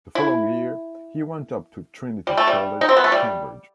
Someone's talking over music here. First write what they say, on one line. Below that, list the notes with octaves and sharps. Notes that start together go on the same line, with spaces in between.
The following year he went up to Trinity College, Cambridge.
E4
G3
A3
G3
D#4
C4
B3
A3
G3